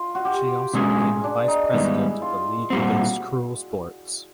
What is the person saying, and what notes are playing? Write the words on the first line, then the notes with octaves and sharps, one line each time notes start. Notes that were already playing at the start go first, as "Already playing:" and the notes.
She also became a vice-president of the League Against Cruel Sports.
Already playing: F4
F#4
G4
B2 G#3 C#4 G#4
D4
D#4
G#2 D#3 G3 B3 E4
F4
A#2 G3 C4 F#4